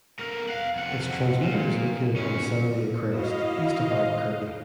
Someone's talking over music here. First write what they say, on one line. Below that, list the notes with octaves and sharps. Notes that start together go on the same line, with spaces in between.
Its transmitter is located on Sandia Crest, east of Albuquerque.
A3 A#4
F5 F#5
F2 F#5
A#2
F#2 C#4
E4 F#4 D#5 F5